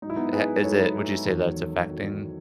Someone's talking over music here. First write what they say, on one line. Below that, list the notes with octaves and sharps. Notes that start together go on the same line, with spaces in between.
Ha is it would you say that it's affecting
G#2 F#3 D#4 E4
B3 D#4
G#4 B4
G#2 F#3 A4 C#5
E2 D#3 F#3
E2 D#3 F#3